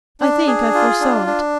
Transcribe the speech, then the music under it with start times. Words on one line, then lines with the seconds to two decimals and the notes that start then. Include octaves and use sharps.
I think I foresaw it.
0.21 D4
0.47 G#4
0.74 F4
1.00 D4
1.26 D4